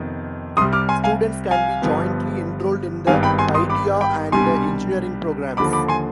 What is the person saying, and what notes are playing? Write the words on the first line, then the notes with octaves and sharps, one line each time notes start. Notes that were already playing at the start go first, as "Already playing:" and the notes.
Students can be jointly enrolled in the Paideia and the Engineering programs.
Already playing: F2 C3 D#3 B3
C2 C3 G3 C6 D#6
D6 F6
G#5 C6
F5 G#5
F5 G#5
G1 G2 F3 B3
G#1 G2 D#3 B3 F5 G#5
G5 B5
G#5 C6
C6 D#6
B5 D6
G5 B5
C2 B2 G3 D4 G#5 C6
D#2 D3 F3 B5 D6
B5 D6
G#5 C6